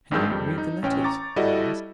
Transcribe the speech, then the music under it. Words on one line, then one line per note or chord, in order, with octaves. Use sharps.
"Can you not read the letters?" I asked.
G#1 G2 D#3 G#3 E6 G6
F2 G3
D#4
A1 C#4 G5
A#5 C#6 D6 A6
G3 E4 F#4 A4 D5 D#5